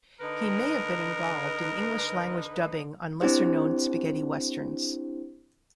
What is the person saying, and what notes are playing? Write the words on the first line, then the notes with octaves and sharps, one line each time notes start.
He may have been involved in English-language dubbing on lesser-known spaghetti westerns.
D3 D#4 A#4 B4
C4 D4 E4 G4 C5